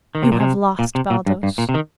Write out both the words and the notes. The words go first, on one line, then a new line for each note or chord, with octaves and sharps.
You have lost Baldos.
D#3
C3
A#2
C3
A#2
C3
A#2
G2
G2
A#2
C3
D#3